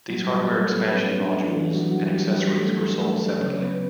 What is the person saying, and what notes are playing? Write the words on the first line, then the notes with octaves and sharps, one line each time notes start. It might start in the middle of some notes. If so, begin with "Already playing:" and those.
These hardware expansion modules and accessories were sold separately.
A2 F#3 G3 F#4
G3 G4
A3 A4
B3 B4
C#4 C#5
D4
D4
E3 E4
F#3 F#4
F#4
G3 G4
G3 G4
A3 A4
A3 A4
D2 C#3 F#3 C#4 C#5
B3 B4